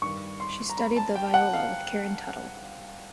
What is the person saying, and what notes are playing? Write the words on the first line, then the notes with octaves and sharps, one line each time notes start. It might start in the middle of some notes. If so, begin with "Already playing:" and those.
She studied the viola with Karen Tuttle.
G2 D#3 G3 C#6
C6
A#5
B5
A5
G5
F#5
F5